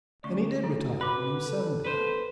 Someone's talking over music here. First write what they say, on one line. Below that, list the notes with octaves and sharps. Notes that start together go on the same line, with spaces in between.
And he did retire when he was seventy.
D2 C3 C#4 D5 C#6
A#2 E4 F#4 A4
B4 B5 D6
G3 D4 A4
A3 B3 A4 B4 C5